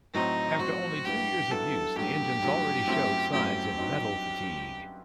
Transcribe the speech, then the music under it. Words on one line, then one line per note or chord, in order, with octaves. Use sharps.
After only two years of use, the engines already showed signs of metal fatigue.
A2 F#3 C4 D#4
A2 F#3 C4 F#4
G2 F#3 B3 E4 G4
G2 F#3 B3 E4 A4
A1 G2 F#3 G4
A1 G2 F#3
F#2 F#3 A3 C4 E4
F#2 F#3 A3 C4 E4 G4
G2 F#3 C4 D#4